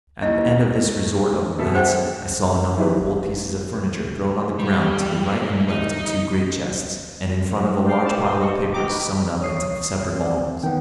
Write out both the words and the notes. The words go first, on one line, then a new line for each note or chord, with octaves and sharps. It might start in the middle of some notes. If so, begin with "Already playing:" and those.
At the end of this resort of rats, I saw a number of old pieces of furniture thrown on the ground to the right and left of two great chests, and in front of a large pile of papers sewn up into separate volumes.
D#2 E4 D#5
B2 A4 E5
C#4 G#4 C5 F#5 G5
D#4 E4 G4 B4
G#1
G3
G#2
D#4
A#4 C5 D5 F5
G4 A4 F5 A5
D#4 C5
D#5 C#6
D#4 F#4 D#5 G5 A#5 D6
B4
C#5 D#6 C7
C4 D5
D#3 B3 G5